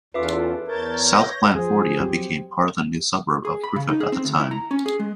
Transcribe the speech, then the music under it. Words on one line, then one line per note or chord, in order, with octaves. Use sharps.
South Blandfordia became part of the new suburb of Griffith at the same time.
E2 C#4 F4 A4 B4 E5 D6
E2 A#4 C#5 A5 G6 A6
G6 A#6
C#5
F3 G#4 C5
F#3 C4 G4
G#4
B5
C#3
D#4
G#4
C4
D2
E4
A#5
C#4
G#4
G#3